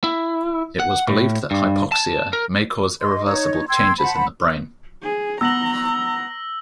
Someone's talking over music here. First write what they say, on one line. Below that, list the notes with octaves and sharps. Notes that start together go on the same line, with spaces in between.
It was believed that hypoxia may cause irreversible changes in the brain.
E4
F#5
A2
G2
A5
A#4
D#5 C6
D#4 C#5
G5 C6 E6 G#6
C5 F#5 A5 B5
G#4
B3 A#5 E6 A#6 F#7